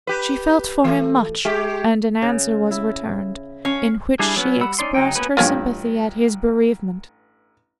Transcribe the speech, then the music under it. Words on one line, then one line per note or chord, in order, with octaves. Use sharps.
She felt for him much, and an answer was returned, in which she expressed her sympathy at his bereavement.
G4 B4
E3 A3
G#3 G4
C#3
E4
C#4 F5
G3 D4 E4 G#4
F#3 B3 C#4
G3 F#5 B5 E6
C#4 D#4 D5 C6
C#3 F#3 D#4 G5
A#3 B3 C#4 F#4 B4
A1 G2 F4 G4 C#5